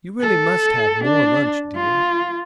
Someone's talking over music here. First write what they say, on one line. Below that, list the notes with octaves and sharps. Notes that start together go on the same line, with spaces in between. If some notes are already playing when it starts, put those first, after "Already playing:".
'You really must have more lunch, dear.
A4
D4
F4